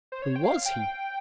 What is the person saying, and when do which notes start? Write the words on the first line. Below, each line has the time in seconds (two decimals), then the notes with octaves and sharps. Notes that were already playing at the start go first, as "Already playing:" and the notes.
Who was he?
0.12 C5
0.22 C#5
0.36 G5
0.44 F5
0.66 G5